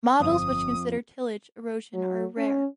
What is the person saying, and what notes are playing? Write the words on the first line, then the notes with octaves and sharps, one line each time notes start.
Models which consider tillage erosion are rare.
G1 F2 D#6
F#3
C#4